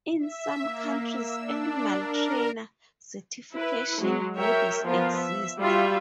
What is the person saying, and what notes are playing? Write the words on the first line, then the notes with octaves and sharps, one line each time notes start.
In some countries animal trainer certification bodies exist.
E5
A#3
E6
D4
A#4
E4 B4
F#3 G#3
A#4 C#5 E5 G5
F3 B3 F4 A#4
E5
G3 F4 F#4 E5